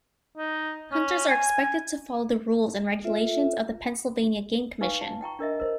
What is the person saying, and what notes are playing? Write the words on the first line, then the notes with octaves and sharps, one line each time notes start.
Hunters are expected to follow the rules and regulations of the Pennsylvania Game Commission.
D#4
C#4
G#5
F4 A4 E5
D#4 B4 F5 G#5 C#6
A5
F#5 G5 A#5 C#6
D4 A#4 D#5 E5
A#4 C5